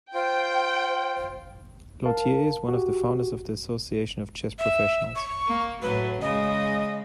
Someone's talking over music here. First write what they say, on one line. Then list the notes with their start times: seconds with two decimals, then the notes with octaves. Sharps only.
Lautier is one of the founders of the Association of Chess Professionals.
0.14 F4 C5 G5
2.06 A#4 F5 A5
2.68 F#4 G4
4.59 E5
5.16 C#6
5.46 A#3
5.82 A2 F#3 B4
6.22 C#3 G#3 D#5